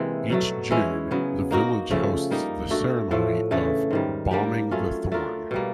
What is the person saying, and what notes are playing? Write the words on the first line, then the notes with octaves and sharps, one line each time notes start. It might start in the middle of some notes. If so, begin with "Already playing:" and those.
Each June, the village hosts the ceremony of "Bawming the Thorn".
Already playing: C3 E3 G#3 A#3
B2 F#3 A3
E3 G#3 C#4 E4
C#3 F#3 B3
A#3 D#4 F#4 A#4
C#3 F3 A3
G3 A#3 D#4
A3 D4 F#4
A2 F3 A3
C#3 E3 A3 D4
G#2 D#3 G3
G3 A#3 D4 G4
F#3 A3 C#4 F4
A3 D4 F4 A#4
B2 G3 A#3